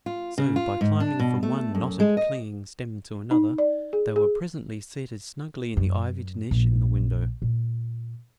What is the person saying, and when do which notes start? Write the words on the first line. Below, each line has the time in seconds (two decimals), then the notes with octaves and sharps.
So, by climbing from one knotted, clinging stem to another, they were presently seated snugly in the ivied niche in the window.
0.06 F4
0.38 C#3
0.56 F4
0.81 G#2
1.00 D4
1.19 B2
1.43 A3
1.75 F#2
2.00 G#3
2.17 D#5
3.31 D#4
3.58 D5
3.93 G#4
4.16 G#4
5.77 F#2
6.51 A#1 E4
7.42 A#2